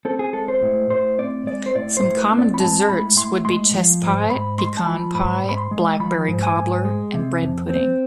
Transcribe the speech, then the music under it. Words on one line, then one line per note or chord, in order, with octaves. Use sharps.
Some common desserts would be chess pie, pecan pie, blackberry cobbler and bread pudding.
C4 A4
G#4
G#3 A4
C5
A2
A2 C5
C4 D5
G#3 D5
C5
A2 D5
C5
A2
B4
C4
D5
B5
G#3 A5
A5
A2 B5
A2 C6
G#3 C6
F3
G#2
G#2 B5
G#3 C6
A5
F3 B5
G#2 B5
G#2
B5
C6
G#3
F3 B5
G#2
G#5
G#2
G#3
C3
F2
C4